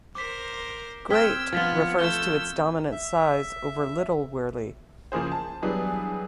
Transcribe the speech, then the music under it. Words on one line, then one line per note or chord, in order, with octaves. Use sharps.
"Great" refers to its dominant size over Little Wyrley.
A#4 C5 D6 B6
C4 G5 E6 F6 G#6 B6
F3 B3 F4 F6 B6
A3 E6 G6 G7
E5
C#3 F3 A#3 G#4 C5
A5
E3 F#3 G3 B3 D4 G#4